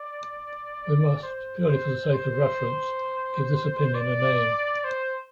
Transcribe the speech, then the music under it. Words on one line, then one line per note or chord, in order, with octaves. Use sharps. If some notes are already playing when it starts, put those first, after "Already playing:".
We must, purely for the sake of reference, give this opinion a name.
Already playing: D5
C5
C5
C5
D5
C5